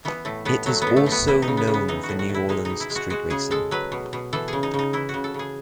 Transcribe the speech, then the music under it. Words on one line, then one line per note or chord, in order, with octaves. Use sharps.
It is also known for New Orleans street racing.
E3 B3
A2 A3
A2 B3
F#3 A3
B3
A2
A3
A2
B3
E3 E4
D#4
C#3
B3
C#3
B3
E3 D#4
F#4
A2
F#4
A2
E4
G#3 D#4
B2 D#4
E4
G#3
F#4
G#3 F#4
C#3 G#4
G#3 A4
F#3 B4
B2
B2
E3 A4
C#3 G#4
D#4
C#3 D#4
E3 E4
F#4
C#3
A4
C#3 G#4